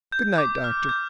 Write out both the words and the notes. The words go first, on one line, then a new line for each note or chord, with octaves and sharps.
Good night, doctor.
G6
D6
F6
G6